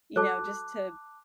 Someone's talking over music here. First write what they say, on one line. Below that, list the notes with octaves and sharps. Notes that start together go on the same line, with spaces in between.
You know, just to
F#3 A4 A5 D6 F#6